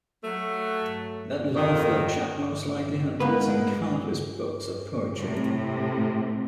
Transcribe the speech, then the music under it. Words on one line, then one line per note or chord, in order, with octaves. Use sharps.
That Longfellow chap most likely had written countless books of poetry.
F#3 A3
F2 D#3
G#3 A#3 B3 B4
A2 C3